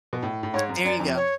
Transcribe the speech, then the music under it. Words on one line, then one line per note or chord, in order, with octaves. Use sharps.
There you go.
B2
A2
A2
G#2 C#5
F#2
F#2 D5
F2
C#5